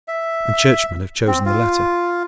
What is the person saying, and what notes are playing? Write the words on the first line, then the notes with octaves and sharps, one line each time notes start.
And Churchmen have chosen the latter.
E5
C4
F4